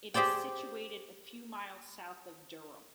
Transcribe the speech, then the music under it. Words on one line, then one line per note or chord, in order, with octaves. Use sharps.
It is situated a few miles south of Durham.
G4 G#4 C5 D5 G5